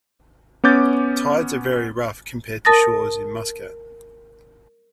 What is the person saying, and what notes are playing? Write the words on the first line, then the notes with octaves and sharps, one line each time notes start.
Tides are very rough compared to shores in muscat.
B3 C#4 D6 G6 A6
A#4 A5 D#6 A6 A#6